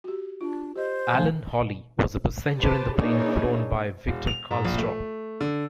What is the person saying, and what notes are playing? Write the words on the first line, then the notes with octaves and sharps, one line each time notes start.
Alan Hawley was a passenger in the plane flown by Victor Carlstrom.
F#4 G4
D4 F4
G4 C5 D#5
E3 F3 A3 G#5
G4 B4 C5 A5
E3 A#3 D4 D#4 G#4 C#5
E1
F7
G#2
A#1
A3
D3